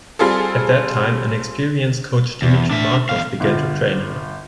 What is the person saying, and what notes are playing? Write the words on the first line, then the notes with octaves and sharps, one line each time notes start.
At that time an experienced coach Dmitry Markov began to train her.
G3 C4 F4 G#4 A4
E2
D4 E5
E2 F5
G1 F4